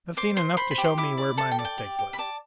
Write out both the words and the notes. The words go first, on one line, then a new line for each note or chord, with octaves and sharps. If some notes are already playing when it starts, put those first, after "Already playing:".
I've seen enough to show me where my mistake was.
C5 D6
C5 C6
C5 B5
B5
G4
C6
E4 D6
D5
A4 A5
G5
D5
G5
G4
G4
B5
D5 A5